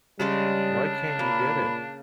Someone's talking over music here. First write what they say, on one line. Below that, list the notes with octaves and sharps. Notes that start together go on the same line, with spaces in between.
Why can't you get it?
C#3 G3 G#3 C#4 D4
A#2 A#3 B5